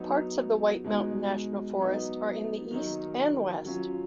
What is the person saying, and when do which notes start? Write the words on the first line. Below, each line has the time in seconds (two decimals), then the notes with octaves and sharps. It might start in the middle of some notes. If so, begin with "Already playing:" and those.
Parts of the White Mountain National Forest are in the east and west.
Already playing: F#3 B3 D#4
0.84 B2 G#3 D#4
1.78 F#3 B3 D#4
2.71 D#3 F#3 A#3 D#4
3.64 F#3 C#4 F4